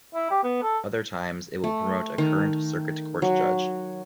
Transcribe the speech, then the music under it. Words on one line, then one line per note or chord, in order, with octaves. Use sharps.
Other times it will promote a current Circuit Court Judge.
E4
G4
B3
A4
A3
D#3
F#3